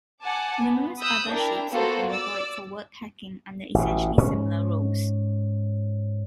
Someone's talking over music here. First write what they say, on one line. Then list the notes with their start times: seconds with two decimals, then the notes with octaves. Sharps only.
Numerous other shapes have been employed for word-packing under essentially similar rules.
0.22 F#5 G#5 A5 D6
0.63 B3
1.00 B5 D#6 E6 F#6 G6
1.29 D4 E4 A#4 G5
1.71 A#3 B3 F4 F#4 A4 C5
2.09 D5 E6
3.74 A1 B2
4.18 G#2 C#4